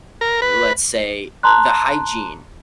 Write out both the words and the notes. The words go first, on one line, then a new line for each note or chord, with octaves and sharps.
Let's say the hygiene-
A#4
B4
A5 A#5 C6 F#6